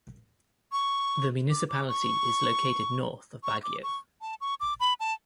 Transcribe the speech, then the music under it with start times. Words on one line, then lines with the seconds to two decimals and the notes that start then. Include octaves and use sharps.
The municipality is located north of Baguio.
0.72 C#6
1.50 D6
1.69 D6
1.88 C#6
3.44 C#6
3.63 D6
3.83 C#6
4.21 A5
4.41 C#6
4.60 D6
4.80 B5
5.00 A5